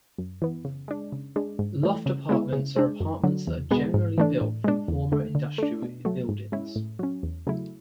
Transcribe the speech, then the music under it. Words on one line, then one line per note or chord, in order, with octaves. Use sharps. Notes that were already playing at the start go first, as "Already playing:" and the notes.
Loft apartments are apartments that are generally built from former industrial buildings.
F#2
E3 B3
C#3
G#3 D4
C#3
G#3 D4
G#2
E3 A3
C#3
G#3 B3 E4
C#3
G#3 D4
F#2
D3 F#3
E2
B2 G#3 B3
G#2
E3 A3 D4
A2
G#3 D4
E2
D3 A3
D3
A3 D4
B2
F#3 A3
G#2
G#3 C#4 E4
A2
F#3 C#4
E2
C#3 F#3 A3 E4